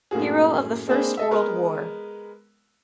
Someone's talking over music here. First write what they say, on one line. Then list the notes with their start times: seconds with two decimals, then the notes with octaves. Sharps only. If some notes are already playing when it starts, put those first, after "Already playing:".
Hero of the First World War.
0.11 F#2 A2 A#3 F#4 G#4
0.88 G#3 A#3 C4 D4 G#4 B4
1.17 A4 D#5 E5
1.31 G#3 B3 A#4 B4